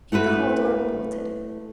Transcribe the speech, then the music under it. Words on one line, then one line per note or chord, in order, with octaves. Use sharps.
'Keep the hall-door bolted.
A3 E4 F#4 B4